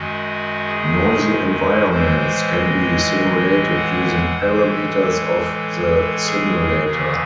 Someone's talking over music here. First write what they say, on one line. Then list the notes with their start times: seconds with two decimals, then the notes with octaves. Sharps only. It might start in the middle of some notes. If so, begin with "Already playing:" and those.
Noisy environments can be simulated using parameters of the simulator.
Already playing: F#2 D#3 G#3 F#4
0.66 G#4
1.90 A2 E3 G#3 C5
2.52 D#5
3.75 F#5
4.37 A2 E3 G#3 C5
4.68 A4
6.22 G#4
6.84 D#2 C#3 E3 G#4